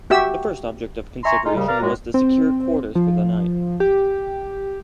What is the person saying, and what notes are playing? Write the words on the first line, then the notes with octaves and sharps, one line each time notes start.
The first object of consideration was to secure quarters for the night.
F#4 G4 E5 E6
E5 G#5 A#5 C6 C#6
G#3 D#4 F4
D#2 C#3 G3
A#4 B4 D5 F5 A#5
F#2 A2 G#3 F#4
C4
F3
G4